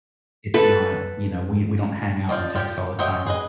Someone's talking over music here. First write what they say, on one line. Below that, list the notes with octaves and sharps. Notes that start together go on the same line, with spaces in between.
it's not, you know we we don't hang out and text all the time.
A4 B4
F3 D#4 D5 D#5
F3 G4
F#3 C5 D#5 E5 G5
G#4 B4 D#5